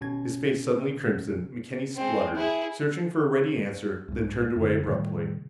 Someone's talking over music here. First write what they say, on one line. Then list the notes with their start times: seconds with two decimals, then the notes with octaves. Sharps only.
His face suddenly crimson, McKenny spluttered, searching for a ready answer, then turned away abruptly.
0.01 G#1 B2 C#4 G#6
1.96 G#3 C4
2.35 E4 G#4
4.08 C2 G#2
4.56 F#2 D3
4.86 A2 C3 D#3 G3